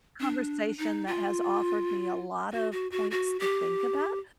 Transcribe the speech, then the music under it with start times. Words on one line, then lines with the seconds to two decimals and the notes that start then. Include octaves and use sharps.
conversation that has offered me a lot of points to think about.
0.20 D4
0.78 D#4
1.07 F4
2.53 F#4
2.72 F#4
2.92 F#4
3.11 F#4
3.40 G4